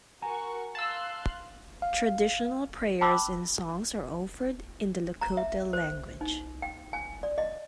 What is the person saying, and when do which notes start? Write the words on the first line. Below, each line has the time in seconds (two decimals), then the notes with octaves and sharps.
Traditional prayers and songs are offered in the Lakota language.
0.22 F#4 A#4 F#5 G#5 A#5 C#6
0.75 F5 A5 C6 E6 F#6
1.82 F5
3.01 G5 A5 B5 D6 E6 F#6
5.21 A#5
5.37 E5
5.73 C5
6.21 D#4
6.62 G5
6.93 G#5
7.23 D5
7.38 D#5